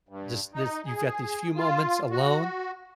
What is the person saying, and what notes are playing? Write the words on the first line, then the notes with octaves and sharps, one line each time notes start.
just lis you've got these few moments alone,
G2
D#4
G#4
F4
F#4